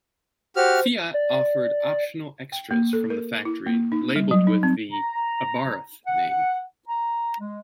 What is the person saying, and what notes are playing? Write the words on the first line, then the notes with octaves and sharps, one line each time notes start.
Fiat offered optional extras from the factory labelled with the Abarth name.
F#4 G4 C5 F6
D5
G5
A#3
A4
A#4
E4
A#3
D#4
G3
F#3
D#4
C4
A#5
F#5
A#5
G#3